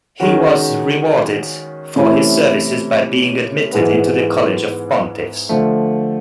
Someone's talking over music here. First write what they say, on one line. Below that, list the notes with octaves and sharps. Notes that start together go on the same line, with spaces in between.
He was rewarded for his services by being admitted into the college of pontiffs.
D#3 G#3 C#4 F#4
C3 E3 A3 C#4 E4
G#2 E3 G#3 B3
D3 F3 A3